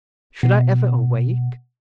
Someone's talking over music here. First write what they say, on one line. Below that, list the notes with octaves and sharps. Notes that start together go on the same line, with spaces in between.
Should I ever awake?
B2